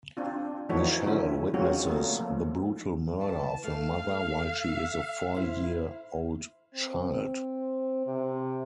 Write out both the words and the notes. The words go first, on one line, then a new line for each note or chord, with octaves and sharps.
Michelle witnesses the brutal murder of her mother while she is a four-year-old child.
C4 D4 F4
E3 F3 A3 D#4 F#4 C#5
D3 A3 C#4 E4
F#3 G#3 C4 C#4 F4 F#4
A3 A#3
F3
E3 A5
A3 F5
E4 C5
C4
C3